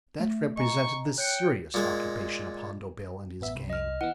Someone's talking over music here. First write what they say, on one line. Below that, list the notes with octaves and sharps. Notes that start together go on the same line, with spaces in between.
That represented the serious occupation of Hondo Bill and his gang.
A3
D#5 G#5 A#5 C#6
C#5 G5 F#6 C#7
A#2 G#3
A1 B3 E5
C2
D#5 F6
E3 B3 F#5